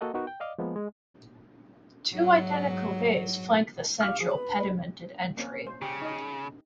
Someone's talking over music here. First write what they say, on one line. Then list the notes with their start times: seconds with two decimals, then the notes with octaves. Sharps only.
Two identical bays flank the central pedimented entry.
0.01 A#3 F#4 A4 D#5 F#5
0.14 B3 D#4 F#4 A#4 B4
0.27 G5
0.40 D5 D#5 F5 D6
0.58 F3 G#3 A#3 B3
0.76 G#3
2.13 G#2 F#3
4.01 G4 F5 C#6 F6
4.20 F3 G#4
4.32 B4 B5
5.37 A#3 C4 C#4
5.67 C5
5.82 C#3 G4
6.02 D#4 D#5